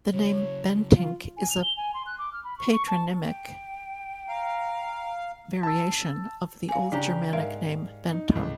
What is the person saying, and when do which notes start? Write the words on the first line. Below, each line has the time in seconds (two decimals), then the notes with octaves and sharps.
The name Bentinck is a patronymic variation of the Old Germanic name Bento.
0.14 C#3 F#3 C#5
0.93 F4
1.37 G#5
1.50 F7
1.62 G7
1.77 G#5
1.94 C6
2.06 F#6
2.18 D6
2.33 F6
2.44 B5
2.58 C#6
2.72 C#6
2.88 A5
3.24 G5
4.28 F5 A#5
5.63 A5 E6
6.69 F5 G#5
6.92 C#3 D4 G4 A#5
7.33 G#2 A#4 E5 F5
8.13 D#4
8.32 C#2 A2